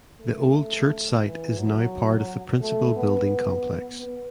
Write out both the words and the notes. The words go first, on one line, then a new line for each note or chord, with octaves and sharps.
The old church site is now part of the Principal building complex.
A3
E3
F#3
A3
B3
B3